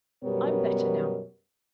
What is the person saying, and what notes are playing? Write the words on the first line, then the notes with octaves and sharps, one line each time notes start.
I am better now.
F#2 B2 G3 B3 A#4 C#5